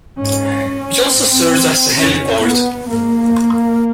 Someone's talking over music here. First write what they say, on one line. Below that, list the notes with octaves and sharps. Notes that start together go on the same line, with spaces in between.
It also serves as a heliport.
G#2 C#4
G#2 C4
F2 C#3 C#4
B3
G#2 A#3